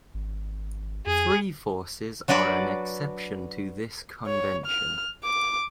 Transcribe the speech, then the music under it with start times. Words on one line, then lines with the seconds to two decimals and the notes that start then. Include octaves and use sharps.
Three forces are an exception to this convention.
0.14 G#1
1.06 F2 G#4
2.28 F#3 D4 F#4 B4 D5
4.27 C#5
4.66 F6
5.24 D6